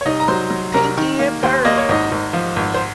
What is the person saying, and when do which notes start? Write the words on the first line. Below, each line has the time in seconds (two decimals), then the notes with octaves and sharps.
Pinky and Perky!
0.01 C#5
0.05 C2 D#4 D#5
0.20 A#5
0.28 F#3 C5 C6
0.50 F#3
0.73 C2 A#4 A#5
0.97 D#3
1.19 A#3
1.43 D#2 C5
1.65 A#3 D#5
1.78 C#5
1.89 G#1 D#4 D#5
2.12 G#1
2.33 F3
2.56 G#1
2.74 C5